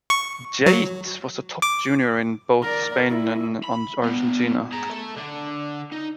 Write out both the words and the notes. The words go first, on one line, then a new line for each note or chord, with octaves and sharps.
Jaite was a top junior in both Spain and Argentina.
C#6
F#3
D6
A#4 D5
E4
B5
B3 D4
G#4 A#5
A4 E5
D3 D4
D#4